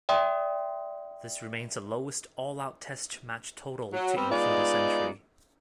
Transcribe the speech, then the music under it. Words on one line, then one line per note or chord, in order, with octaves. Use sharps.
This remains the lowest all-out Test match total to include a century.
D5 E5 G5 C6 D#6
F#3
G3 B3 C4
G#3 B3 D#4 F4 D5